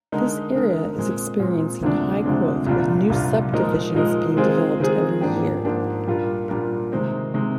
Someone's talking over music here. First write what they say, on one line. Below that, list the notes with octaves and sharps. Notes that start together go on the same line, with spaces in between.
This area is experiencing high growth with new subdivisions being developed every year.
D3 G#3 D#4 A#4
D3 G#3 D#4 A#4
A#2 G#3 C4
A#2 G#3 C4
D2 C3 F3 G#3 D4
D2 C3 F3 G#3 D4
C2 A#2 G3 D4 F4
C2 A#2 G3 D4 F4
A#2 F3 G#3 D#4 A#4
A#2 F3 G#3 D#4 A#4
D#3 G#3 C4 F4 G#4
D#3 G#3 C4 F4 G#4
G#2 F3 A#3 D4 G4
G#2 F3 A#3 D4 G4
A#2 G3 D4 F4 A#4
A#2 G3 D4 F4 A#4
C3 D#3 G#3 C4
C3 D#3 G#3 C4